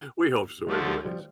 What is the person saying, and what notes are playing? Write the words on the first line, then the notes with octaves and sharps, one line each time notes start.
We hope so anyways.
D2 D3 F3 F#3 G#3 A3
F#3 G#3
F3 G3